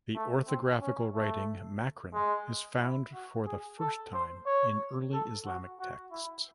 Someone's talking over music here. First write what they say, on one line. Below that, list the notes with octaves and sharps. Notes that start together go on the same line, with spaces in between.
The orthographical writing Makran is found for the first time in early Islamic texts.
A3
C4
C#4
A3
G#3
E4
F#4
G#4
A4
C5
C#5
A4
F#4
F#4
E4